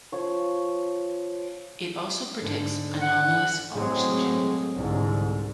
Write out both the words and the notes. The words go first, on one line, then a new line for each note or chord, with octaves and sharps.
It also predicts anomalous oxygen.
F3 C#5
G#2 D3
F#5
A2 F#3 G#3 C4
C2 G#2 D3